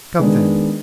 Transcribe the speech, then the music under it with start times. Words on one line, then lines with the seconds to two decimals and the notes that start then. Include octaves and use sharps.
"Come, then."
0.19 D#3 G#3 B3 D4